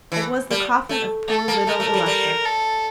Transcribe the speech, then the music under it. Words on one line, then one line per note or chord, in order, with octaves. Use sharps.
It was the coffin of poor little Ilusha.
E3
G3
A3
A3 A4
A#3
A3 A#4
A3
G3
G3
A4